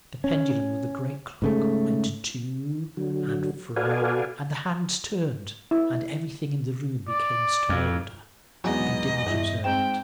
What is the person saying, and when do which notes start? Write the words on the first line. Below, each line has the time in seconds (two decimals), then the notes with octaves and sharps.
The pendulum of the great clock went to and fro, and the hands turned, and everything in the room became still older; but they did not observe it.
0.24 C#4
1.42 G#2 C#3 A3
2.97 D3 F#3
3.76 F#4 A4 B4 D5 F5 G#5
5.71 E4
7.08 D5
7.69 F2
8.64 E2 G#2 F#3 B3 D#5
9.26 E2 G2 E4
9.64 G#2 C4 G5 E7